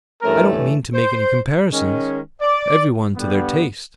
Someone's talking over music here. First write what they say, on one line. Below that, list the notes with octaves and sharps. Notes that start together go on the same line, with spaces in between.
I don't mean to make any comparisons; every one to their taste.
G2 E3 A3 C#4 A#4
C5
D#3 G#3 C#4
D5
G2 D3 G3 B3